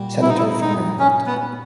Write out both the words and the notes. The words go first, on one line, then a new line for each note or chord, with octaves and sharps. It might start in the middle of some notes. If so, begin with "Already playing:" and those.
Senator from Maryland.
Already playing: A#2 G3 F#4
E4
D#4
E4
D#4
C#4
B3